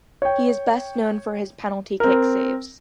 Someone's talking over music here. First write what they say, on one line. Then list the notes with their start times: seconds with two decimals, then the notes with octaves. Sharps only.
He is best known for his penalty kick saves.
0.22 C#5 G5
2.00 C4 A#4